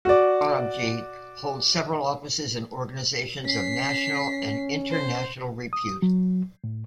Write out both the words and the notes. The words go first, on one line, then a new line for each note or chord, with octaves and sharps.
Sorabjee holds several offices in organizations of national and international repute.
F#4 D5
C#4 B6 C7
C5
D#6
F#3
A2